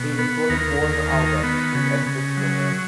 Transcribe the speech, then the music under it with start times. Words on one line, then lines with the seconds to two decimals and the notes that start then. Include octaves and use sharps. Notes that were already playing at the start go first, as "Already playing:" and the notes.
He recorded one album called "Erfrischungen".
Already playing: B2
0.19 B3
0.49 D#2 A#4
0.81 D#2
1.12 D#3
1.43 B3
1.75 C#3
2.06 C#3
2.37 F#3